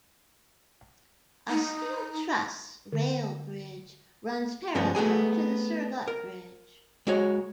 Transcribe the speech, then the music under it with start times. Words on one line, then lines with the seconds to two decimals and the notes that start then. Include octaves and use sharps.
A steel truss rail bridge runs parallel to the Surgut Bridge.
1.49 D#4
2.92 D3
4.75 G2 F3 B3 C#4
4.95 A3 B3 G#4 G#5
6.08 A#4
7.07 G#3 F#4 C#5